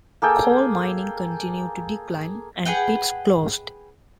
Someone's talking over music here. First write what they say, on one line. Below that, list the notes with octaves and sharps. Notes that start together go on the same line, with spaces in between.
Coal mining continued to decline and pits closed.
A#3 G#4 A4 G5
G#4 B4 F#5 G5